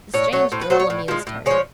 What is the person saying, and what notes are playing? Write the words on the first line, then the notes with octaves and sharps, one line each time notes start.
The strange girl amused her.
A2 C#5
F#3 A3 C#5
A2 C5
B4
F#3 A3 C5
C#5
A2
F3 G#3
A2
F3 G#3 C#5